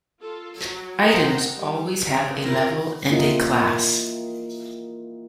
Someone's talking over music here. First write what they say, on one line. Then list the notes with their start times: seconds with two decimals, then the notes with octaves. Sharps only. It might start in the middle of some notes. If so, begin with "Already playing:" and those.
Items always have a level and a class.
0.20 F4 A4
0.58 F#3
1.02 A#4 C5 D#5 F#5 G5 A#5
1.53 G3
2.06 C4 D4 G4 G#4
2.42 E4 F4 A#4 A#5
3.10 A#3 E4 F4 G4 A#4 D#5